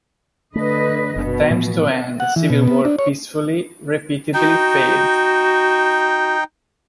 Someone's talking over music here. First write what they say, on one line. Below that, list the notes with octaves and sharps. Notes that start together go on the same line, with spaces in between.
Attempts to end the civil war peacefully repeatedly failed.
D3 A3 B4 D#5
F#1 B2 B3 D4
A2 E3 F3
F#5
E3
B2
B3
D4
C#5
D#4 F#4 G5